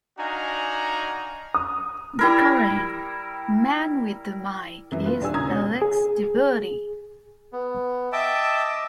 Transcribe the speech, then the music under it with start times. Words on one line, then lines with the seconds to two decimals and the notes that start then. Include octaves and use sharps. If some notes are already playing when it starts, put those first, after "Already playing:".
The current "Man with the Mic" is Alex Davoodi.
0.19 D4 D#4 F#4 F5 G#5 A#5
1.54 D#6
2.19 G3 E4 A#4
4.92 F#2 E3
5.06 F4 B4
5.21 D#1 D4 G4 G#5 E6
5.34 C#3 A#5 D#6 G#6
5.49 B2 C#5
5.82 G#4
7.53 B3
8.13 D#5 E5 G5 A5 D6 E6